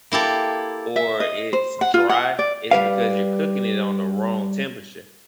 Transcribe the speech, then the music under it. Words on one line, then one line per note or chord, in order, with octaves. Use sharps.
or it's dry, it's because you're cooking it on the wrong temperature.
A#3 E4 G4 A4
E5
D#5
C5
F#5
F4
F#5
D5
G3 B4 F5